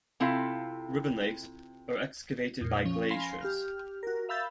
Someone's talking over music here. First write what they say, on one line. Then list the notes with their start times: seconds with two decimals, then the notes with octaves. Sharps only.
Ribbon lakes are excavated by glaciers.
0.20 C3 C4 E4 F4 A4 F5
2.61 F2 A#2
2.85 F3 C#4
3.10 F5 G#5 B5 C6 A#6 C7
3.41 G4 F6
4.03 F#4 A#4
4.29 E5 F5 B5 E6 G6 A6